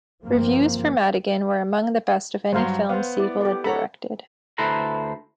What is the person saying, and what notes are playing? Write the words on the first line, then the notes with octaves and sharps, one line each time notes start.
Reviews for "Madigan" were among the best of any film Siegel had directed.
G1 F3 A#3 C4
G2 F#3 C5 F5 C6
B3 C5 F5
E4 D5
G4 A4 D5
A4 C#5 F#5 A#5 B5
D2 E4 A4 B4 C5 A#5